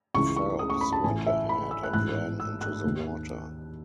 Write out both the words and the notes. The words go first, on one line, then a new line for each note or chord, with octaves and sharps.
Phelps went ahead and ran into the water.
C#2 C#3 E3 C#6
C#6
D#6
C#6
B5
A5
A1 A2 E3 G#5
E5
B5
E6
F#6
A1 G#2 E3 F#6
E6
F#6
D#2 D#3